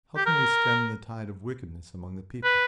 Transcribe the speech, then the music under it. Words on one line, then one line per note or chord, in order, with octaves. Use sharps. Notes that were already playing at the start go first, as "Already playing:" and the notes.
How can we stem the tide of wickedness among the people?
G4
A#4
B4